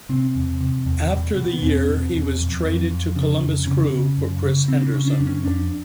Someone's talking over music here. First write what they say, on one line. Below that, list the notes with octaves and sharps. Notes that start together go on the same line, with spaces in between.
After the year, he was traded to Columbus Crew for Chris Henderson.
C3 C4
E2
C3
E2
B2
B2
B3
E2 C4
B2
E2
F2
F2
F2
C#3 D4
F2
C#3 C#4
C#3
F#2
C#3
C#3 C4
D4
C#4
C#3
D4
F#2
C#4
F2 D4